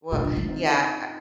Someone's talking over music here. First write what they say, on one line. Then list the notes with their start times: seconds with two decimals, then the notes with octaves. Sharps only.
Well, yeah. Eh,
0.11 A#2 D4 F4
0.24 D3
0.37 D#3
0.49 C4 D#4